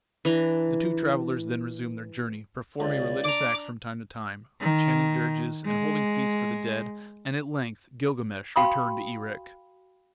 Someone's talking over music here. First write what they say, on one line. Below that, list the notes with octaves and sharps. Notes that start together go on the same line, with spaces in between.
The two travellers then resumed their journey, performing religious acts from time to time; chanting dirges and holding feasts for the dead, and at length Gilgamesh returned to Erech.
E3 D4 A#5
C#2 D5
D4 A#5 D6
D#3
G#3
F#4 F5 G5 B5 C6 D#6